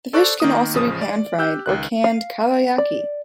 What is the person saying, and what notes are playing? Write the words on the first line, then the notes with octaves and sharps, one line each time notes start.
The fish can also be pan-fried or canned kabayaki.
A4 C5 D5 C#6 F#6
D#3 A#3 D#6
A1 C#3 F3 D#6
D5
G4 E6 F#6 G6
C#2 D#3 F#6
F5
D5